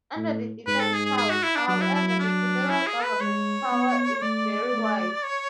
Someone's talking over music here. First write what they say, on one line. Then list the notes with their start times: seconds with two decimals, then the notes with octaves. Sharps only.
Under the defence power, however, the federal government's power is very wide.
0.16 A2
0.67 G#2 B4
0.80 A4
0.93 G#4
1.05 G#4
1.17 G#4
1.30 F#4
1.43 E4
1.56 D4
1.68 F#3 D4
1.81 E4
1.94 E4
2.07 E4
2.20 D4
2.70 E4
2.87 G#4
3.03 B4
3.21 G#3 C#5
3.72 B3
4.22 A3 D5
4.72 A3
5.23 C#5